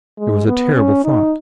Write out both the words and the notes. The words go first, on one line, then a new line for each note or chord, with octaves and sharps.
It was a terrible thought.
G#3
B3
C#4
D#4